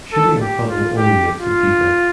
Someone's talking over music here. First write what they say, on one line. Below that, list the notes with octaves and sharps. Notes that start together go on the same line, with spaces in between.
Shooting a puddle only makes it deeper.
A4
G4
F4
G4
F4